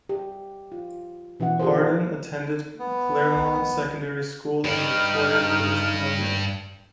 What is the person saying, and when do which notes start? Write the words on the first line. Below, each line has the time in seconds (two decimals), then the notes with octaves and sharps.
Harden attended Claremont Secondary School in Victoria, British Columbia.
0.09 G4
0.72 F4
1.40 B2 E3 C#4 F#4 F#5
1.59 F4 G4 G#4 A#4 C5
2.79 B3
4.64 G2 D#4 F6